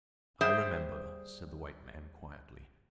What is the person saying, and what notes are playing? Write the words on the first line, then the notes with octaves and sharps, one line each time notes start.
"I remember," said the white man, quietly.
G3 G#4 C5 E5 G5